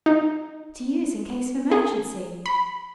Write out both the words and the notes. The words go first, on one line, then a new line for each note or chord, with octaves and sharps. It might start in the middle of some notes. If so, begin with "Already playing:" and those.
"To use in case of emergency."
D#4
G#4
B5